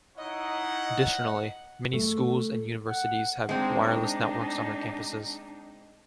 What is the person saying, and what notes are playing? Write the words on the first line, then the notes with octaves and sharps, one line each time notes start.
Additionally, many schools and universities have wireless networks on their campuses.
D#4 E4 C#5 D#5 F#5
A3
F#5
G#3 C4 D4 D#4